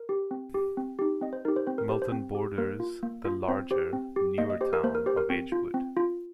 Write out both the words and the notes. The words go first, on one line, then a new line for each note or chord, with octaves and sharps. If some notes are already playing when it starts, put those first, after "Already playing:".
Milton borders the larger, newer town of Edgewood.
Already playing: A#4
G4
C4
G4
C4
D#4 G4
C4 D#5
C5
D#4 G4 A#4
C5
C4 C5
A#4
G4 C5
C5
C4
G4
A#3 A#4
F4
A#3
F4
C4 C5
G4 C5
C4
G4
A#3 D#5
D#5
G4 C5
A#4
A#3 C5
A#4
G4 C5
A#4
C4
F4
C4
F4